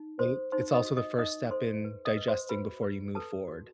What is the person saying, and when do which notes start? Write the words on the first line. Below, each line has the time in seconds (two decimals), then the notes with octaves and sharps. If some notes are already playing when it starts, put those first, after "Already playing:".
i it's also the first step in digesting before you move forward.
Already playing: D#4
0.19 A4 C5 C6
0.52 D#4 C5 C6
0.74 D#5 D#6
0.85 F#4
0.97 D#5 D#6
1.18 D#4 D#5 D#6
1.51 A4 C5 C6
1.85 B4
2.05 D#5 D#6
2.17 B4
2.28 C5 C6
2.49 F#4 B4 B5
2.83 B4
3.15 A4 B4 A5
3.48 F#4